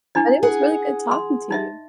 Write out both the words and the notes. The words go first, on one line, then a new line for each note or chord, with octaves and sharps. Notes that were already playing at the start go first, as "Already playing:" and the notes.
But it was really good talking to you.
D4 E4 D#5
G#4 F#5 G#5
C6
D#4 D#5 E5